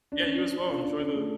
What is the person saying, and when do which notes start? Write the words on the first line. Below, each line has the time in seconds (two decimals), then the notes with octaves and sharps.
Yeah, you as well. Enjoy the
0.12 D4
0.22 C#4
0.37 D4
0.58 D4
0.69 F4
0.84 D4
1.00 C#4
1.15 A3